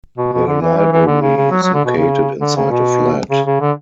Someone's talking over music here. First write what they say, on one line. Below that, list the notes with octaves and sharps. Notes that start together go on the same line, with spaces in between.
The library is located inside a flat.
B2
B2
D3
E3
E3
E3
D3
C#3
C#3
F#3
F#3
D3
B2
C#3
D3
C#3
B2
C#3
C#3
D3